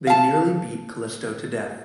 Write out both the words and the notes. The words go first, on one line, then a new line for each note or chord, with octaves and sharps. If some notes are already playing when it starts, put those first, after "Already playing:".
They nearly beat Callisto to death.
F5 A5